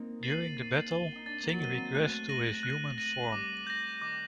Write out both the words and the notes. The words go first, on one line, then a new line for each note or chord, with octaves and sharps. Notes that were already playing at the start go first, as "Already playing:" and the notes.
During the battle, Thing regressed to his human form.
Already playing: A#3 C4 D#4
A6 C7 D#7 F#7
A6
D#7 G7
D#4
D4 A6
A#3
F#3
D#3 D#7 G7
A#3 C4
A3 F#6
A#6 D#7 F#7
F#6
A#6 D#7 F#7
G3 D6
G6 A#6
D#3 D6